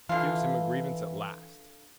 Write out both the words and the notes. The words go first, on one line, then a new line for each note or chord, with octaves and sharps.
It gives him a grievance at last.
D3 E3 F4